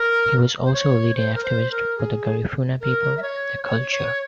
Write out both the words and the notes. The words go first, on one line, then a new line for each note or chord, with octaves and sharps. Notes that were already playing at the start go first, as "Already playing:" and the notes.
He was also a leading activist for the Garifuna people and their culture.
Already playing: A#4
C5
C#5
C5
A#4
C5
A#4
G#4
A#4
E5
C#5
C#5
C#5